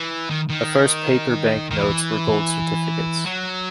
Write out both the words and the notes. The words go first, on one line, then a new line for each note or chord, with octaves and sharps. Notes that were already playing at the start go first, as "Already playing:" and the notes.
The first paper bank notes were gold certificates.
Already playing: E3
D#3
D#3
D#3
E3
F#3